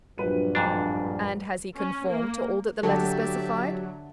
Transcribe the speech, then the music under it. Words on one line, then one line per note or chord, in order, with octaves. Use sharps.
"And has he conformed to all that the letter specified?"
A#1 G2 F#3 B4 D#7
F2 G#2 D4
C#4
A#3
D3 F#3 G4 A4 D5 E5 A5